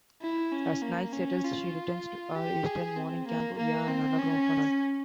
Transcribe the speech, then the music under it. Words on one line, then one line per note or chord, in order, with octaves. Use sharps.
As night settles, she returns to her eastern morning camp via an underground tunnel.
E4
C#4
A#3
C#4
F4
G4
G#4
C4
A#3
A#3
C4
C#4